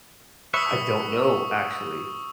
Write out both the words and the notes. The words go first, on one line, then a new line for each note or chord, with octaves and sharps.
I don't know, actually.
B4 C#5 E5 C#6 D#6 E6